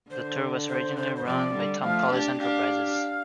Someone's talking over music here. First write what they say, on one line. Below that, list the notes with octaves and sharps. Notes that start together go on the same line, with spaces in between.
The tour was originally run by Tom Collins Enterprises.
D3 C5
C5
C5
C5
C3 F3 D5
D3 G3
F3 A3 F5
D4 G4
D4 G4 F5